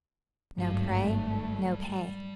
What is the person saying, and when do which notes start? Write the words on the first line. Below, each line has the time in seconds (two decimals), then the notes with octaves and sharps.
No prey, no pay.
0.58 G#1 G2 F#3 G3 A3 F5